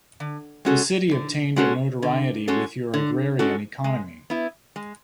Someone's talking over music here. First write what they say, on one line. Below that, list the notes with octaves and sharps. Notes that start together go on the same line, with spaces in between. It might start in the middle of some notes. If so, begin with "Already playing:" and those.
The city obtained a notoriety with your agrarian economy.
D3
G#3 C#4 F#4 A4
D3
G#3 C#4 F#4 A4
D3
G#3 C#4 F#4 A4
D3
G#3 C#4 F#4 A4
G#3
B3 E4
G#3